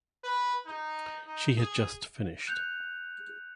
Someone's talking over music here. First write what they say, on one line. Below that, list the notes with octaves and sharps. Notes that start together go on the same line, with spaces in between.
She had just finished.
B4
D#4
D#4
G#4
F#6 G6 C#7 F7